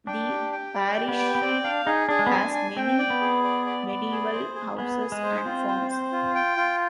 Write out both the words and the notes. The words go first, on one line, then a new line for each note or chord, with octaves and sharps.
The parish has many medieval houses and farms.
D4 G5
G4
G5
D5
G4
B3
G5
B3
C4 D5
D4 F5
D#4 G#4
D4 G#4
G#3
B3
C4 G#5
D4
G#5
C4 G5
D5
B3
G#4
D5
D5
D5
G#4
C5
G#4
B3 G#4
G#4
G#3
C5
C4 F4
C5
C5
F4
G5
F4